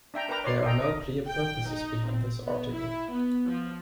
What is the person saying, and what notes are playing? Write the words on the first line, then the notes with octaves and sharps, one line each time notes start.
There are no clear purposes behind this article.
D4 E5 G5 A#5
D4 A#4 B4 G5 A#5 D6
C#5 D5 C6
A4 D#5 G5 A#5
A#4 D#5 D6
G5
D#4
C4
B3
E4
B3
F3